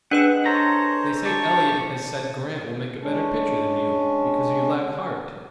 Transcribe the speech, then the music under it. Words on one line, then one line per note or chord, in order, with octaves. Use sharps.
"They say Eliot has said Grant will make a better pitcher than you, because you lack heart."
G#3 D4 B4 F#5 E6
A4 C5 C#5 A#5
G4 D5 G5 A5 C#6
G#3 C#4 D4